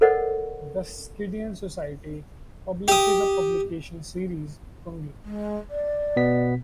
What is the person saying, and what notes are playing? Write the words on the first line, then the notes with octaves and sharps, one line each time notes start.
The Skyttean Society publishes a publication series, Kungl.
A4 A#4 C5 D5 D#5 F#5
G4 D#6
G#3
D5
B2 B3 B6